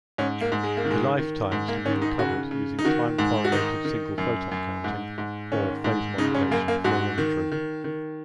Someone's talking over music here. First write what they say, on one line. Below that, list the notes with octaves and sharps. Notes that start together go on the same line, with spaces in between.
The lifetimes can be recovered using time-correlated single photon counting or phase-modulation fluorimetry.
G#2 C#4
A#3
G#2
G#3
A#3
D#3
G#3
D#3
G#2
A#3
D#3 C#4
D#4
C#3 F#4
C#3
D#4
D#3 F#4
G#2
F#4
D#3 D#4
D#3
F#2
F#2
G#2
G#2
D#3 C#4
G#2
C#3 D#4
C#4
F#2 A#3
A#3
G#2 F#4
D#3
D#3
D#3